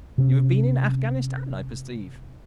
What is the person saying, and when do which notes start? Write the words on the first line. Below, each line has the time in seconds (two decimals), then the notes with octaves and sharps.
"You have been in Afghanistan, I perceive."
0.18 C3 C#4